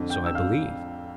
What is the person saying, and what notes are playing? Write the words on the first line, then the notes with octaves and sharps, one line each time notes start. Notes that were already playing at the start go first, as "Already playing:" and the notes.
So I believe.
Already playing: F2 D3
G5 G6
E6
F5 F6